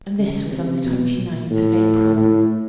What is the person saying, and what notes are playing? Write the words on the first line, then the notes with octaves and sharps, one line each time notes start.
And this was on the twenty-ninth of April.
C#3
C3
B2
A#2
A2
A2